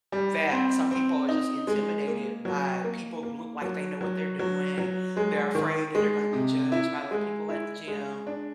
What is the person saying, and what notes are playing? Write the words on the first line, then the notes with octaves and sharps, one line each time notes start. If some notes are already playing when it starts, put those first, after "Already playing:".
that some people are just intimidated by people who look like they know what they're doing, they're afraid that they're gonna be judged by other people at the gym
G3
C4
C4
D#4
G#3
A#3
F#3
A#3
A#3
F#3
F#3
F#3
F#3
G#3
D#3
G#3
C3
E4
G#3
E4
G#3
D4